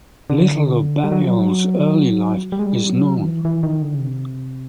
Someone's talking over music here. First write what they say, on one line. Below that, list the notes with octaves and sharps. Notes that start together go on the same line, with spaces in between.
Little of Balliol's early life is known.
D3
G3
F#3
F3
F#3
G3
G#3
G3
F#3
D#3
E3
E3
D#3
D3
C#3
C3